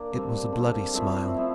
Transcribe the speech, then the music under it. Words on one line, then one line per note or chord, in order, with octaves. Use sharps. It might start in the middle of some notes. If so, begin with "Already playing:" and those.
It was a bloody smile.
Already playing: A#3 D4
D3 G3 C4
D3 G3 C4
F3 A3 C4 E4
F3 A3 C4 E4